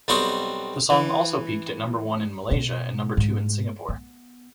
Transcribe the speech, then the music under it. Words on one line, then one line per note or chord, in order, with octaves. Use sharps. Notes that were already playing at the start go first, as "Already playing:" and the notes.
The song also peaked at number one in Malaysia and number two in Singapore.
B1 G3 C4 F#4 C#6 D#6
E3
B2
G#2
B3